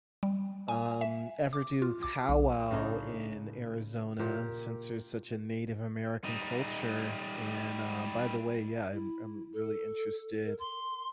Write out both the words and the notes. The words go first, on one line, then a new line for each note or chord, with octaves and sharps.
um, ever do powwow in Arizona, since there's such a Native American culture, and, um, by the way, yeah, I'm I'm really interested
G3
G#5
E5
D6
F4
D6
B1
A2 C#3 D4 D#4
A#2 G4
G3 D#4
E4
A4
A#4
C6